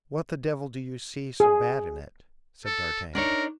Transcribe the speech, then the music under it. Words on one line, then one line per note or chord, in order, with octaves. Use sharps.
"What the devil do you see so bad in it?" said d'Artagnan.
G#4
A4
D4 D#4 A#4 C#5